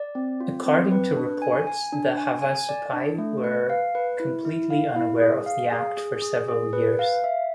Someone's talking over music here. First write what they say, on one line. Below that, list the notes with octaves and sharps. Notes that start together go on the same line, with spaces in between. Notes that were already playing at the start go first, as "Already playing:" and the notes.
According to reports, the Havasupai were completely unaware of the act for several years.
Already playing: D5
C4
F4
C4
B4
D4
G#5
G#5
D4
G#5
G#5
D5
D4
A3
B4
F5
B4
E4
E4
F5
E4
G#4
F5
G#4
G#4
G#4
G#4
B4
F5
E5